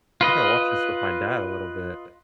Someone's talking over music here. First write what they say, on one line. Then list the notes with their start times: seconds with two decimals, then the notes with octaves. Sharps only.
think I watched this with my dad a little bit,
0.21 F4 B4 D#5